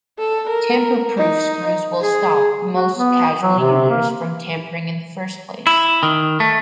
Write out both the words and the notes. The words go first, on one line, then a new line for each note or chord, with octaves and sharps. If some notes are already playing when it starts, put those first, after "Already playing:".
Tamper proof screws will stop most casual users from tampering in the first place.
A4
A#4
D#4
G#4
F#4
B3
F#3
C3
A#3
E4
D#3
A3